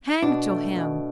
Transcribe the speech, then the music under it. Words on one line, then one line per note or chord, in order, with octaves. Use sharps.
Hang to him!
B2 D4
A3
B2